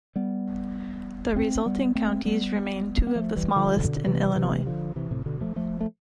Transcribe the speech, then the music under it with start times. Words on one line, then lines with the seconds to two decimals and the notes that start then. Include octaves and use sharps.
The resulting counties remain two of the smallest in Illinois.
0.16 G3 B3
1.35 A3 C4
1.66 G3 B3
1.95 A3 C4
2.26 G3 B3
3.07 B3
3.15 F3 A3
3.36 E3 G3
3.56 D3 F3
3.76 B2 D3
4.06 C3 E3
4.36 C3 E3
4.44 B3
4.51 A3
4.59 G3
4.66 D3 F3
4.96 C3 E3
5.11 A2 C3
5.26 B2 D3
5.41 F3 A3
5.56 F3 A3
5.81 A3